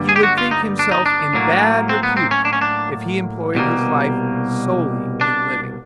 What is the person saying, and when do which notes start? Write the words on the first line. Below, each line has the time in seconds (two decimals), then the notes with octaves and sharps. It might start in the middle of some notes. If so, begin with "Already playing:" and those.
He would think himself in bad repute if he employed his life solely in living.
Already playing: G2 D3 G3 A#3
0.09 G#4
0.16 G4
0.23 F#4
0.38 F4
0.51 D#4
0.79 D4
0.91 D#4
1.06 D4
1.34 A2 F#3 A#3
1.89 C4
2.03 B3
2.17 C4
2.31 C#4
2.45 D4
2.53 C#4
2.61 D4
3.55 C2 B2 G3 A#3
5.21 D4